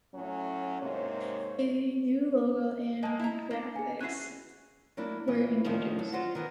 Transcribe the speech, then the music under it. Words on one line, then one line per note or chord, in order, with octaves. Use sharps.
A new logo and graphics were introduced.
A2 F#3 C#4
G#2 C3 A#3 C#5
G#3 A#3 D#5 A5
E4 A#5
A#3 D4
G#4 G#5
C#4 E4 F#4 F#6 C7
F#3 A#3 D4 E4
A#2 E3 E4
D2 A2 D#3 F3 A#3
F#3
F4 F#4 C5 D#5 F#5
D#3 E3 B3